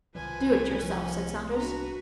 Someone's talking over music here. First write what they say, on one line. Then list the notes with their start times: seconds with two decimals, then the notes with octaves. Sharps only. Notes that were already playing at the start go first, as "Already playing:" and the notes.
"Do it yourself," said Saunders.
0.15 C2 D#3 F3 F#3 B4 G#5
0.79 F3 C#4
1.56 D4 F#4 B4 A#5